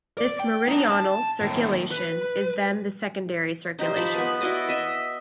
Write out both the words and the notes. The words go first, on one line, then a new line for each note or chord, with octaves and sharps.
This meridional circulation is then the secondary circulation.
D5
G5
D4 D#4
A5
D#2 A2
B4
D#4 G4 C5
F3 A5 B5
B3 B4
E4 F#4 D5 D#5
D#5 E5